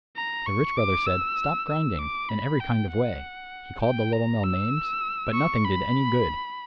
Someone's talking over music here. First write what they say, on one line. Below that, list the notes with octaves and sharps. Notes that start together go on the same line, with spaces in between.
The Rich Brother said, "Stop grinding," in every kind of way; he called the Little Mill names; but nothing did any good.
A#5
C#6
D6
E6
E6
D6
B5
G5
F#5
G5
A#5
E6
C#6
B5